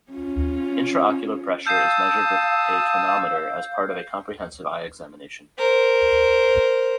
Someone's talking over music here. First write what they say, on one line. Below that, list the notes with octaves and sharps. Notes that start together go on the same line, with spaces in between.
Intraocular pressure is measured with a tonometer as part of a comprehensive eye examination.
C#4 F4
F5 A5 D#6 E6 G6 C7
A#4 C5